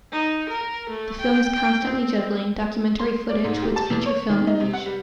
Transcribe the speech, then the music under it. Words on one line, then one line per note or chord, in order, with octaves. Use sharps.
The film is constantly juggling documentary footage with feature film image.
D#4
A#4
A3
G5
G5
C4
C6
D5
G#2
G4
A5
E2
C#5
D#3
D#4
C3
F#5
G3